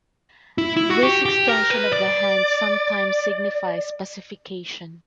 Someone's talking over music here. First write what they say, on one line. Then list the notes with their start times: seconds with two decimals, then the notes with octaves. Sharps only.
This extension of the hand sometimes signifies pacification.
0.58 E4
0.77 E4
0.90 F#4
1.03 G4
1.25 G4
1.48 A#4
1.70 B4
1.92 D5